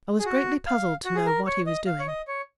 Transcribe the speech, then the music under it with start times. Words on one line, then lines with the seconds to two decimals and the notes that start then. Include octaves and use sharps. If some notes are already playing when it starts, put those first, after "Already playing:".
I was greatly puzzled to know what he was doing.
0.19 G#4
0.25 F#4
0.67 F5
1.05 F#4
1.15 G#4
1.26 A#4
1.47 C#5
1.67 D#5
1.86 F5
1.99 C#5
2.08 D#5
2.27 C#5